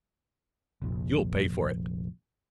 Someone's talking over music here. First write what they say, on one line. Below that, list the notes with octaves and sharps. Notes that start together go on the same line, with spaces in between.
"You'll pay for it!"
F1 A#1